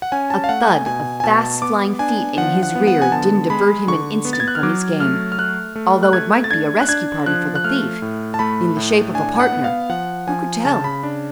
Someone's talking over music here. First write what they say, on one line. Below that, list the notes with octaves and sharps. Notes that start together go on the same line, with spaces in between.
A thud of fast-flying feet in his rear didn't divert him an instant from his game, although it might be a rescue party for the thief, in the shape of a partner,--who could tell?
F#5
C#4 G#5
A5
F5
A3 F#5
G#5
B2 G#5
G#5
B2 A5
B3 D6
D4 G#5
F3 F#5
F#5
B3
F#5
G#5
D3 A5
G#3 B5
D3 C#6
B3
A6
G#6
F#6
F6
F#3 D6
A3 F6
F6
A3 F#6
A3
F#6
A3 G#6
A6
D4 G#6
F#6
D4 G#6
F3 F#6
F#6
A3 F6
A2
A5
A3 B5
A2
D4 G#5
G#5
F#5
B3
F5
F3 F#5
F3 G#5
C#3 A5
B5
D4